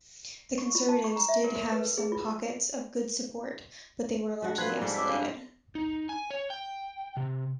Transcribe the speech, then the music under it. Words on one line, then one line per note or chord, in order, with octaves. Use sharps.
The Conservatives did have some pockets of good support, but they were largely isolated.
C#6
F4
A5
C#6
A#5
E5
A#4
A#4
B4
A4
G#4
F4
G3 D4 F#4
F3 B4 B5 C6 F#6 G#6
G3 A#4
G#2 G#3 A4
D6 E6 B6
D4 F5
D#4
G#5
C#5
G5
C3